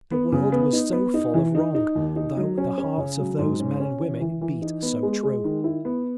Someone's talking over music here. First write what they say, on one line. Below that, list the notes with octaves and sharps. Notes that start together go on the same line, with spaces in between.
The world was so full of wrong, though the hearts of those men and women beat so true!
B3
C#3
B3
D#4
B3
D#4
E3
D#4
D#4
D#2
D#4
F#3
C#4
C#4
C#3
F#3
G#2
C#4
C#4
E3
E3
E3
D#4
B3
G#3
G#3
D#3
E4
B3